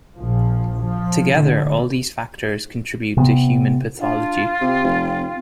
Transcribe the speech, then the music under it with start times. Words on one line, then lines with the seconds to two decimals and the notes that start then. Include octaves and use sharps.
Together, all these factors contribute to human pathology.
0.16 A#1 F3
0.80 F3
1.32 A2 D3
3.17 C3 B3
3.99 D4 F4
4.61 C3 C4
4.84 F1